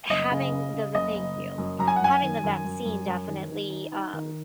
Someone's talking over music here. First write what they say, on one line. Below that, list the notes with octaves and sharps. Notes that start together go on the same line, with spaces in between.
having th the Thank you. Having the vaccine definitely, um,
F#1 D#5
C#3
C#3
C#3
F#1 D#5
F#1
F#1
F#2
F#2 A#5
G#5
F#5
F#2 G#5
D#3
F#2
F#2
F#2
F#2
D#3
D#3
D#4
D#4
D#3